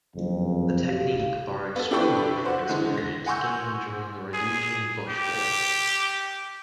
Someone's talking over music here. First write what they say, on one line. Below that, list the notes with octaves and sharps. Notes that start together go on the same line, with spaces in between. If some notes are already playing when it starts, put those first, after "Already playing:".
The technique borrowed strongly from experience gained during the Rhodesian Bush War.
F#1 F2
F#4 G4 F5
B3 A4
D4 E4 G4 A4 B4 C#6
F#4 C5
D3 E3 G#3
A#6
F#5 G#5 C6 C#6 E6 G6
G#4
G4